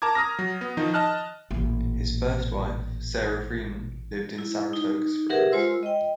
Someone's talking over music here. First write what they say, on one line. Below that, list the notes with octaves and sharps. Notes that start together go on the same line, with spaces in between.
His first wife, Sarah Freeman, lived in Saratoga Springs.
A#4 A5 A#5 D6 G#6
A#5 D#6 F6 A#6
F#3
B3
D#3 F3 D#4
D#5 A5 F6 F#6
A1 A#2
E4
D#4
G4 G#4 A#4 B4 E5 F#5
G#3 F4 C5 C6 E6
D#5 G5